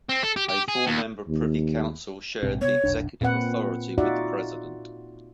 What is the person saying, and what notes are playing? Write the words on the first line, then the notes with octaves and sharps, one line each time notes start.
A four-member Privy Council shared the executive authority with the President.
C4
A4
G4
G4
G#4
D#2
D#2
A#1 G#2 C3
C3 B3 C#5
F1 B1 D4
A#2 C4 B4 F#5
D#4 F4 F#4 D5 E5 F#5